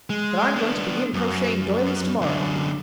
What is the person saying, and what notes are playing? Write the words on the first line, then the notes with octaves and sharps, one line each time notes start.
But I'm going to begin crocheting doilies tomorrow.
G#3
B3 D4
F#2
F#2 D3